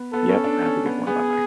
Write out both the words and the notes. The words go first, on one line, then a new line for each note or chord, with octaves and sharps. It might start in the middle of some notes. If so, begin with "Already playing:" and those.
Yep. Have a good one. Bye-bye.
Already playing: B3
B3 A4
C#4
D4
C#4
B3
B3 G#4